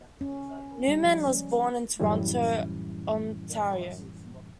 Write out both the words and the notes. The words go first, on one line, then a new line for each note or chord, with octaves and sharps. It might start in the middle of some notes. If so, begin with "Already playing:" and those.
Newman was born in Toronto, Ontario.
C#4
G3
F3
C#4
F#2 A2 E3 G3 C#4 E4